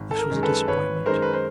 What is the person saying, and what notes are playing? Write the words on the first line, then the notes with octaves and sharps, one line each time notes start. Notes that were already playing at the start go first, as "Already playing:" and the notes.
This was a disappointment.
Already playing: G#1
A4
A#4
F#2 D#3 G#3
A4 B4
G#1 B4 C#5
F#2 D#3 G#3 A#4 C5
B4
C5